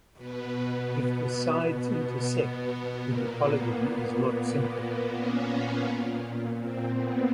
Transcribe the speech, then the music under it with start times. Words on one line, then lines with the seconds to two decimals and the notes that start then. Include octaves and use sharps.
If the sides intersect then the polygon is not simple.
0.17 B2 B3
1.60 B3
3.02 A#2 A#3
3.38 B3
5.16 C#4
5.87 A#2
6.58 C4
6.93 B3